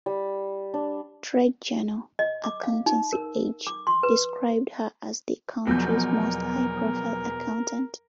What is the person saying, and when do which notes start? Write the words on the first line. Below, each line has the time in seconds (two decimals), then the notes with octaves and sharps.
Trade journal "Accountancy Age" described her as "the country's most high profile accountant".
0.06 G3
0.74 D4
2.19 D#5
2.44 D6
2.63 F5
2.86 D#4
3.13 A#4
3.67 D6
3.87 C6
4.03 B4
5.67 E2 B2 F3 F#3 A#4 G6